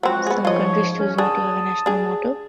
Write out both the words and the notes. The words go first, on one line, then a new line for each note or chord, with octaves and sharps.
Some countries choose not to have a national motto.
F3 F#3 G#3 C4 F#4
B3 G#4
G#2 F3 F4 C#5 D#5
C#4
D3 G#4 A5 D#6
D4 G#4